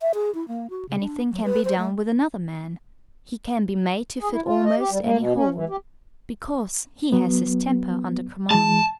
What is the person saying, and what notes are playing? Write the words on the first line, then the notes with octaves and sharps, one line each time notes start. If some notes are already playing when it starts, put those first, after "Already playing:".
Anything can be done with another man,--he can be made to fit almost any hole,--because he has his temper under command.
E5
G#4
E4
A#3
F#4
C#3
D4
F#3
B4
C5
A3
G#4
E4
F4
D#5
G4
G3
A#3
B2
C#4
E3
G4
F#3 B3
E3 G#3 A5